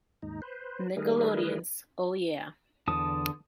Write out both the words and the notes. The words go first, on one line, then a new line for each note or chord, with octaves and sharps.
Nickelodeon's Oh Yeah!
D#2 G#2 D#4
B4 C5
D#3 G3 A3 G#4 A#4 B4
E2 D3 A5 D#6